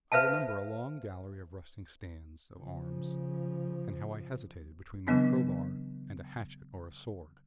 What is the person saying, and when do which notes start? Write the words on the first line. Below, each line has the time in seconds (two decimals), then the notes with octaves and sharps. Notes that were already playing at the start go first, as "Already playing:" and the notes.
I remember a long gallery of rusting stands of arms, and how I hesitated between my crowbar and a hatchet or a sword.
0.12 B4 C5 E5 F5 A5
2.59 C#3 F3
5.07 C#3 E3 F#3 B3 C4 D4